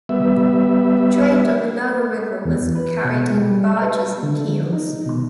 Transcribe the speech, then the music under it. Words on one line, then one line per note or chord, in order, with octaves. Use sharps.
Trade on the lower river was carried in barges and keels.
G3 B3 E5
E2
B4
B2
G#3
G3
B4
D3
F3
D#4
B2